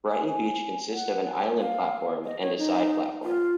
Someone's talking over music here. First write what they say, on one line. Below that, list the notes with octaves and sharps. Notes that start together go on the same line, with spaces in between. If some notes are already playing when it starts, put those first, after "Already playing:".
Brighton Beach consists of an island platform and a side platform.
G#5
G#5
F#5
F5
D#5
C#5
D#4
F4